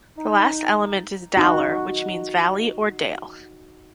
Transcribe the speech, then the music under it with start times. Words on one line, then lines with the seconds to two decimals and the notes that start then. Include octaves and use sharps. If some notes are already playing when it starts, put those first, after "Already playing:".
The last element is "dalr" which means "valley" or "dale".
0.17 D#4
1.37 D#4 F#4